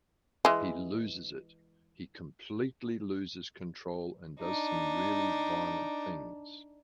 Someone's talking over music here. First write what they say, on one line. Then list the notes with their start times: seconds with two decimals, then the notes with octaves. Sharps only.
He loses it; he completely loses control and does some really violent things.
0.45 E3 G#3
4.40 D4 D#4